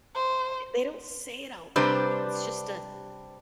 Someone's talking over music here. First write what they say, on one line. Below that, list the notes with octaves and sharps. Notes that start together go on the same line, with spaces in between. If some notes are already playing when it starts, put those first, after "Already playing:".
Yeah, they don't say it out loud, it's just a
C5
C3 G3 D4 B4 C5 D5